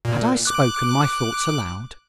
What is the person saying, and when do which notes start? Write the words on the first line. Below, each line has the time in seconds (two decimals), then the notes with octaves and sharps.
Had I spoken my thought aloud?
0.05 A#2
0.45 D6 F#6